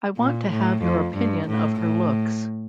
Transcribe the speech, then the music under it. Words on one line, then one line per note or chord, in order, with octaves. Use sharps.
I want to have your opinion of her looks.
A#2
A2
F2
G2
A2
A2